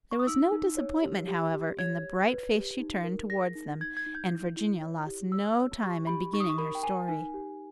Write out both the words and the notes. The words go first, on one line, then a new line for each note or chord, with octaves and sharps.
There was no disappointment, however, in the bright face she turned toward them, and Virginia lost no time in beginning her story.
C#6
D#6
D#4 E6
D#4
C#5
G4
G4
G4
C#5 G#6
C#5
B4
G4
D#4
A#4
G#4 A#6
D#4
D#4 G#6
G#6
D#4
G6
E4
E4
C#5
G4
C#5 E6
C#5
G4 C#6
G4 B5
D#4 C#6
D#6
C#6
A#4 B5
G5
A#4 G#5
D#4 G#5
G4